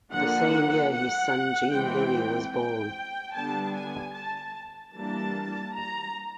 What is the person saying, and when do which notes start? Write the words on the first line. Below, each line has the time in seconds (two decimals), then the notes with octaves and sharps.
This same year his son Jean-Louis was born.
0.12 D3 F3 A#3 F#5
0.92 F#5
1.72 E3 G#3 C4 G5
2.53 G5
3.33 D3 G3 B3 D4 A5
3.73 G#5
4.13 A5
4.94 E3 G3 A#3 D4 A5
5.74 A#5